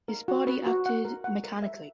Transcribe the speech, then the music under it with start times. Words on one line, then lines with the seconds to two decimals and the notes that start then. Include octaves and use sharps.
His body acted mechanically.
0.08 A#4
0.28 F#4
0.47 B4
0.67 F#4
0.86 F#5
1.05 A#4
1.24 F#5
1.44 A#4
1.62 E5